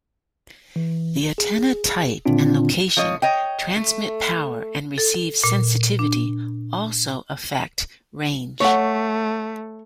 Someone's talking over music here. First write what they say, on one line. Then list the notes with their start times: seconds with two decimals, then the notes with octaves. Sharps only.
The antenna type and location, transmit power and receive sensitivity also affect range.
0.76 E3
1.38 G#4
2.26 A#2 D3 D#3 C4 D4 F4
2.97 F3 C#5 D#5
3.22 C#5 D#5 G5
3.77 A3
4.98 A4
5.44 A#2
5.99 D4
8.60 A3 C#5 F#5